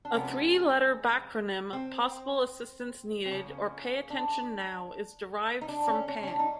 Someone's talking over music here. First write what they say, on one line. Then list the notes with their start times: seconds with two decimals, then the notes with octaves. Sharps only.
A three-letter backronym, "possible assistance needed" or "pay attention now" is derived from "pan".
0.05 D4
0.14 C3 F3 G#3 B3 C#4
1.73 C4
3.26 C4
3.31 C#3 F3 A#3 C#4
4.10 D4
5.61 D#4
5.68 D4
5.88 C#4
6.08 C#4
6.23 C#4
6.27 D4
6.39 D#4